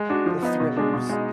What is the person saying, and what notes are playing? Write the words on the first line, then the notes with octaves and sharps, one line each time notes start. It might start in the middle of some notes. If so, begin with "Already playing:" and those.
the thrillers,
Already playing: G#3
D4 F#4
F3
B3 D#4
B2
G#3 D4
B2
G#3 D#4